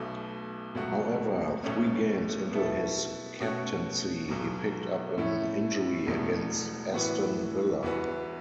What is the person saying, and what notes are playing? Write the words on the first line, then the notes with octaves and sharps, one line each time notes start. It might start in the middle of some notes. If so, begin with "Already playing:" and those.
However three games into his captaincy he picked up an injury against Aston Villa.
Already playing: B1 B2 A3
C#2 B2 F#3 A3 F#4
B1 B2 A3 C#4
B2 B3 E4 A4
B2 A3 C#4 F#4 A4
B1 B2 F#3
A2 A3 C#4 E4
E1 E2 B2 A3
A2 E3 B3 F#4 B4
E2 E3 B3 F#4 B4